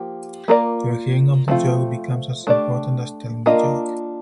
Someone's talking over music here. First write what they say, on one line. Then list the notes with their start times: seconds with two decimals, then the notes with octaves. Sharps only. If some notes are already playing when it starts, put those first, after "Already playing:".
Your hearing of the joke becomes as important as telling the joke.
Already playing: F3 A#3 G4
0.48 A#3 F4 A#4 D5
1.48 F3 A3 C4 F4
2.47 A3 D4 G4 D5
3.46 A#3 D4 F4 A#4 D#5